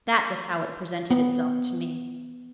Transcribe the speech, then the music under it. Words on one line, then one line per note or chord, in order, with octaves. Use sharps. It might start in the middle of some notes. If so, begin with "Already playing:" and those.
That was how it presented itself to me.
B3